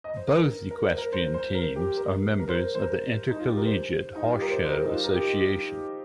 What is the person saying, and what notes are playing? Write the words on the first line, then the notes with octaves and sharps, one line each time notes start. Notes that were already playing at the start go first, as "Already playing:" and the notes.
Both equestrian teams are members of the Intercollegiate Horse Show Association.
D#5
C5
A#4
A#4
C5
A#4
C5
C5
A#4
G4
A#4
A#4
C5
A#4
C5
A#4
D#4
F4
G4
A#4
C5
D#4
F4
G4
A#4
C5
C5
A#4
D#4
F4
A#4
G4